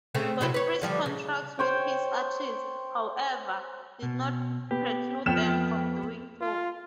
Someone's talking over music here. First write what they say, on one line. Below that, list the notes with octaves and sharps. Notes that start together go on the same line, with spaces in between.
Godfrey's contracts with his artists, however, did not preclude them from doing so.
C#3 A3 C4
C3 F#3 E4
B4 C#5
D3 F3 G3
C#3
C5 C#5 G5
B2
B3 G4
F2 B3 G5 F6 E7
F4